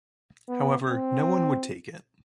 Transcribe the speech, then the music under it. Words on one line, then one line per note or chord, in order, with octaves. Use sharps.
However, no one would take it.
B3
C4